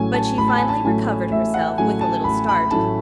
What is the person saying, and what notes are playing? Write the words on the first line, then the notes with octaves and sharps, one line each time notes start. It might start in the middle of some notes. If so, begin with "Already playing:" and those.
But she finally recovered herself, with a little start.
Already playing: A1 A2 F#3 A3 C#4 G#5
A5
A1 B5
A5
G#5
A5
A2 F#3 A3 C#4 G#5
A1 E5
F#5
A2 F#3 A3 C#4 G#5
A5
A1 B5
B5
A2 F#3 A3 C#4 A5